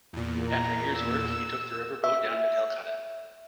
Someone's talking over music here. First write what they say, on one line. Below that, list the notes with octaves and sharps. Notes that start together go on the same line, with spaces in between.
After a year's work, he took the river boat down to Calcutta.
E2 A#2
A#5
E6
E5